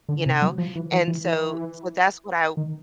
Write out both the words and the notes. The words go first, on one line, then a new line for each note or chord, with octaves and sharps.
You know? And so, so that's what I
D3
C3
F#3
F3
E3
E3
E3
E3
D#3